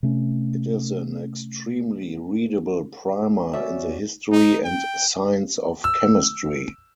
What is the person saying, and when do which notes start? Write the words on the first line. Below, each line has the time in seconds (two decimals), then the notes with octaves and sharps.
It is an extremely readable primer in the history and science of chemistry.
0.03 C3 A3 C#4
3.53 C#4 F#4 D5 E5
4.32 D#4
4.64 G5
5.84 E6